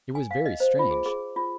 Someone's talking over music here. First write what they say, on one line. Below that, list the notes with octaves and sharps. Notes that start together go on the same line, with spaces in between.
It was very strange!
G#5
F5
D#5
C5
F4
G#4
G#4
F4